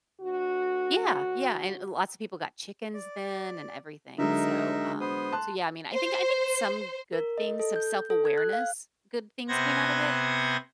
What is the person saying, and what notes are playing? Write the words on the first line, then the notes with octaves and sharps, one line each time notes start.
Yeah. Yeah. And l lots of people got chickens then and everything. So, um, so yeah. I mean, I think I think some good things, some self-awareness, good things came out of it.
D2 F#4
D5
D3 F#3 G#3 D#4 A#4 E5
B3 C5 D#6
A5 C6 F#6
C5
A#4
D#5
A4
G6
A4
G#6
F#6
F5
C3 B3 C5 F#5 G#6 A#6